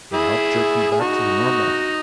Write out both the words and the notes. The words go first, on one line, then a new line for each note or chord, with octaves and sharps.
It helped jerk me back to the normal.
E4 G#4
G#4
D#4 F#4